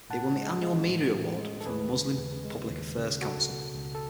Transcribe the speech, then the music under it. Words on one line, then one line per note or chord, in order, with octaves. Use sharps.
It won the annual Media Award from the Muslim Public Affairs Council.
A2 F#5 A5
G#3
G#3
A2
A2
G#3
A4
D#2 G#4 B4
C#3
D#2
G#3
D#2
C#3
C#2 F#4 A4
B2
C#2
A4